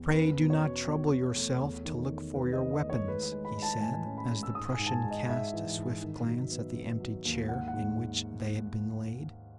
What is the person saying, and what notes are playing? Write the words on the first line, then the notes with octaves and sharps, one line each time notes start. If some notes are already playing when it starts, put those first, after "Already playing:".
"Pray do not trouble yourself to look for your weapons," he said, as the Prussian cast a swift glance at the empty chair in which they had been laid.
Already playing: E2
C#4 B4
B2
C#5
B2
B2
B2
A3
E2
D#3
D#3
E2 B4
D#5
D#3
D#5
A3
C#5
G#3 B4
G#3
B5
G#3
A5
A2 G#5
C#4
B5
G#3
E6
G#2 D#6
G#5
G#2
A5
G#5
G#2
D#5
G#2 E5
E3
G#2
D#3
F#3
B3
B3
F#3
D#2
G#2 F#5
F#5
G#2